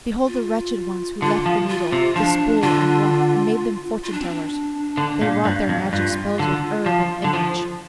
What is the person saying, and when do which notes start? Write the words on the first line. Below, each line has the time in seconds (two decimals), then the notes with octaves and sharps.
Behold the wretched ones, who left the needle, The spool and rock, and made them fortune-tellers; They wrought their magic spells with herb and image.
0.28 F4
1.22 D3 F4
1.46 F3
1.69 F4
1.92 C3
2.16 F3 D4
2.62 D3 F4
4.04 F4
4.12 D4
4.21 C4
4.29 D4
4.97 D3
5.21 A#2
5.45 G2
5.69 F2
5.92 G2 F4
6.39 D3
6.86 F3
7.24 D3
7.33 F3